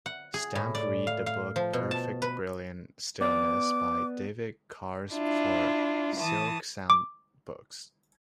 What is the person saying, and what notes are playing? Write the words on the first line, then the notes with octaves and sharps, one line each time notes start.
Stamp read the book "Perfect Brilliant Stillness" by David Carse for SilkSoundBooks.
F#5
G#4
A2
D5
F5
F5
F3
B2
A5
B4
B3 D5 D6
D4 E4 F4
E3 A5 D#6
D6